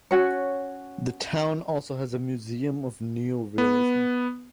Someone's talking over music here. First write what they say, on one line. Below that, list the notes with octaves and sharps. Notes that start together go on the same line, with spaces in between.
The town also has a Museum of Neo-Realism.
C#4 F#4 C#5
B3